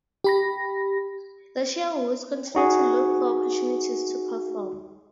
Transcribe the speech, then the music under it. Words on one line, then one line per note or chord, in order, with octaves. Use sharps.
The Sherwoods continue to look for opportunities to perform.
G4 B5 A#6
D#4 F#4 G#4